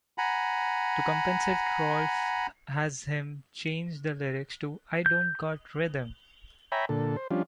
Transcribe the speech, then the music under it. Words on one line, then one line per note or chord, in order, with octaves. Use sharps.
To compensate Rowlf has him change the lyrics to "I don't got Rhythm".
F#5 G#5 A#5 B5
G6
C#5 E5 G5 G#5 A#5 B5
A#2 D3 A4
C5
F3 G3 C#4 D4 F4